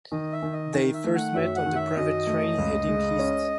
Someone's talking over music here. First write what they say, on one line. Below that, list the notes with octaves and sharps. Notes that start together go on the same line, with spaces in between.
They first met on their private train heading east.
D#3 D#5
E5
D#3
D#5
D#3
E5
A3
F#5
F#2 E5
F#5
D#3
E5
F#2 D#5
A3
C#2
G#3
C#4